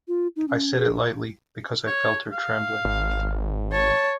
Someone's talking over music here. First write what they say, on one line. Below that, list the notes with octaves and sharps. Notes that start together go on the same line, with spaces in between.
I said it lightly, because I felt her trembling.
F4
D#4
C#4
G#4
C#5
F5
G#1
C#5 A5